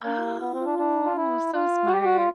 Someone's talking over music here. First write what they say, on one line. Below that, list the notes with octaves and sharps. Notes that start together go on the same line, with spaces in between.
Oh, so smart.
A#3
B3
C4
D4
D4
F4
E4
F4
F#4
G4
F#4
F4